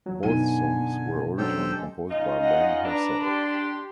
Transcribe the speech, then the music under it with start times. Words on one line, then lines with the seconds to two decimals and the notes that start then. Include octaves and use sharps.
Both songs were originally composed by Lane herself.
0.06 F3 F#3
0.23 F#2 B2 D3 D#4 G#5 D#7
1.38 F#3 C#4 D4 G4 A4 C5
1.73 G#3
2.09 C#4 D#4 F4 D#5
2.40 D#5 F#5
2.84 D4 B4 A#5
3.24 G4 C6